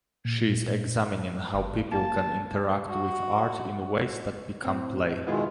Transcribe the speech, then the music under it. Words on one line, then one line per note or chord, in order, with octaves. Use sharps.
She is examining how people can interact with art in ways that become play.
A#2
G1
A#3 A5
F#4
A2 C4
B2 D#3 G#3 B3 E4 F4